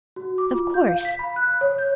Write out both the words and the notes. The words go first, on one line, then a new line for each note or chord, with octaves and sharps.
"Of course!"
F#4
D6
F4
G6
F5
B6
B5
F#6
C#5
G6